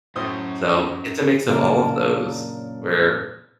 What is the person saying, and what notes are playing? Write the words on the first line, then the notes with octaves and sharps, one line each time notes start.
So, it's a mix of all of those where
F#2 A2 C5 D#6
F#2 A#2 C#3 A#3 D4 A#4